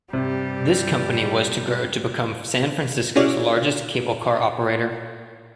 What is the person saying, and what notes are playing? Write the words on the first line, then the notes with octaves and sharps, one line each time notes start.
This company was to grow to become San Francisco's largest cable car operator.
G2 C3 G3
C#4 E4 F#4 G#4 C#5 D5